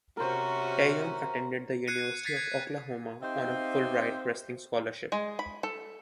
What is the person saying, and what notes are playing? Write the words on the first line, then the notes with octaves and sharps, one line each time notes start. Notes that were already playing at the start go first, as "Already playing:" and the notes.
Teyon attended the University of Oklahoma on a full ride wrestling scholarship.
C3 C#4 F#4 A#4 C5
F#6 G#6 C7 C#7 D#7
G#6 A6 B6 C7
G#6
C4 D#4 G4 C5 E5 F5
G#3
B5
A4